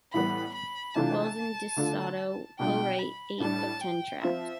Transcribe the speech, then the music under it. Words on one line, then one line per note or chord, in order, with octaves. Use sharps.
Wells and De Soto co-wrote eight of ten tracks.
A2 E3 G3 B3 B5
B5
C3 E3 A3 D4 F4 A5
D3 A3 D4 F4
B2 G3 D4 F4 G5
B5
A2 G3 D4 A5
G5
F3 C4 F4 E5